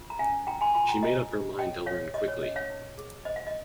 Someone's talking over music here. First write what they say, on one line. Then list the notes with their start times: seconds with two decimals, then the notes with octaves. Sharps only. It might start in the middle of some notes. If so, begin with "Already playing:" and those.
She made up her mind to learn quickly.
Already playing: F4
0.10 A#5
0.19 C#4 F5 G#5
0.47 F4 G5 A#5
0.61 G#5 C6
0.74 F4 G#5 C6
0.89 G5 A#5
1.03 F4 D#5
1.31 F4
1.58 C#5 D#5 G5
1.86 C#5 F5
2.14 G4 D#5
2.28 C#5
2.42 C#4 D#5
2.56 C#5 F5
2.70 D#4
2.98 G#4
3.25 C5 D#5
3.36 F5
3.47 D#5